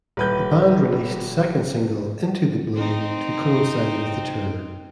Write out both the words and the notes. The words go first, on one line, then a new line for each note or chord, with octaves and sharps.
The band released second single "Into the Blue" to coincide with the tour.
D#1 B4 G6
C4 D#4